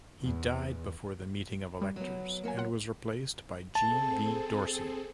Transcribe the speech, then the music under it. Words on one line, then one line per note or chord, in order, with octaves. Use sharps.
He died before the meeting of electors, and was replaced by G. V. Dorsey.
E2
G3
F#3 B3
F#3 A#3 G#5 C#7
F4 F#5
C4 G#4 A4 A5